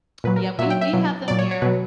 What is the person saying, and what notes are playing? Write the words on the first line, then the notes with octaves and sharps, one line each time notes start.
yeah, we we have them here,
A#2 F#3 B4
A#4
A#2 F#3 E5
G5
E5
B2 F#3
A#2 F#3 D5
C#5
C#5
B2 F#3 B4